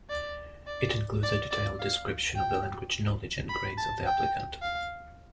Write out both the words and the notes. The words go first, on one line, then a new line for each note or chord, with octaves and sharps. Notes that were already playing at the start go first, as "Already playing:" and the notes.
It includes a detailed description of the language knowledge and grades of the applicant.
D5
D5
D5
D5
F5
G5
B5
A5
G5
F5